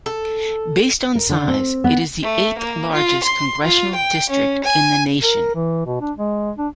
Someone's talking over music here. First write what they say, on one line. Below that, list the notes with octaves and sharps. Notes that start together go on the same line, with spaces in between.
Based on size, it is the eighth largest congressional district in the nation.
A4
A#4
D3
C4
B3
A3
A#3
F4
C6
F4
G5
C#4
G#5
A#4
E3
B2
D4
G#3
D4